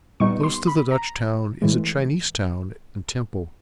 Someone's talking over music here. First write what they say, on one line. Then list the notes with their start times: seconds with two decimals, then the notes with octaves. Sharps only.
Close to the Dutch town is a Chinese town and temple.
0.20 A#2 G3 B3 D#4 C#6
0.43 C6
0.67 B5
0.91 A#5
1.62 A2 E3 G#3